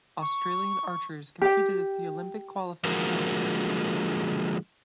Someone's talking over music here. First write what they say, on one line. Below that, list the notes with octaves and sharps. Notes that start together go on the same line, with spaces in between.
Australian archers competed at the Olympic qualifying event.
C#6
G4 G5
D3 F3 G#3 A#3 F#4 A#4